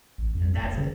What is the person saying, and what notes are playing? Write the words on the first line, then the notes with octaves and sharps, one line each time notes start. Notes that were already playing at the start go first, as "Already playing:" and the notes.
and that's it.
A1
F2
F#1
C#3